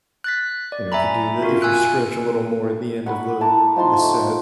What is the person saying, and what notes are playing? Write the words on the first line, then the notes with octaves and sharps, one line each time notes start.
you know if you do the if you stretch a little more at the end of the the set,
F#6 A6 B6
D5
E5 G#5 A#5 B5
C4 F4 F#4 A#4
G#5 E6 F#6
F#5 B5 C#6
E4 A5 A#5 D6
F3 D#4 A5 C6
A3